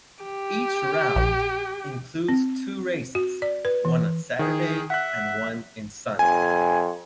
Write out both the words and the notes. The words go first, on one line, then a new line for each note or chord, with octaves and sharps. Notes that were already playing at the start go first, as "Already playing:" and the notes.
Each round includes two races one on Saturday and one in Sunday.
G4
A#1
C4
F#4
D5
B4
E3
D#3 G#4
E5 F#5 F#6
F2 G#5